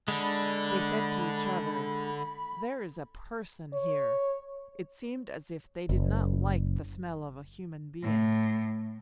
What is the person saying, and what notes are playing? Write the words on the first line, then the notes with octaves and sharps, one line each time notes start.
They said to each other, "There is a person here"; it seemed as if they did not like the smell of a human being.
D3 G#3 D4 B5
C#5
F#1
A2